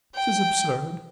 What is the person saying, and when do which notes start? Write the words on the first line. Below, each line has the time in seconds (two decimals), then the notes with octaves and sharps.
'Tis absurd!
0.15 G5